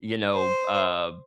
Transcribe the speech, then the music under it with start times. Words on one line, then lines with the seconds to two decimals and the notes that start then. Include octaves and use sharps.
you know, uh
0.34 C5